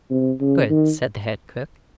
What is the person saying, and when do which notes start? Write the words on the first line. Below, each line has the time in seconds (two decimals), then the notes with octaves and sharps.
'Good,' said the head cook.
0.10 C3
0.40 C#3
0.70 D#3